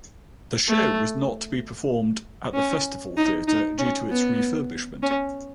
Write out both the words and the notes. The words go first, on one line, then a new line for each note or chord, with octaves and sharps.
The show was not be performed at the Festival Theatre due to its refurbishment.
A3
C#4
D#4
D#4
C#4
B3
C#4